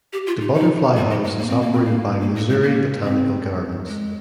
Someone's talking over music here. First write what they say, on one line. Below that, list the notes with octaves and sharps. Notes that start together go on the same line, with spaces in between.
The Butterfly House is operated by Missouri Botanical Gardens.
G4
F4
D#4
D#4
G3
G#3
G#3
A#3
C4
A#3
C4
A#3
A#3
G#3
G#3
A#3
C4
G#3